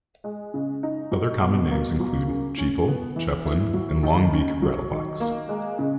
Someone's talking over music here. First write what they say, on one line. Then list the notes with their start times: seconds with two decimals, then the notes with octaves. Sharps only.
Other common names include chepil, chepilin, and longbeak rattlebox.
0.24 G#3
0.54 C#3
0.83 D#4
1.11 F#3
1.41 B2
1.70 A#3
2.00 F#3
2.28 C#3
2.58 C#4
2.87 B3
3.16 E3
3.45 E4
3.74 F#3
4.03 D#3
4.33 C#4
4.62 F#3
4.91 D#3
5.20 A#3
5.49 G#3
5.79 C#3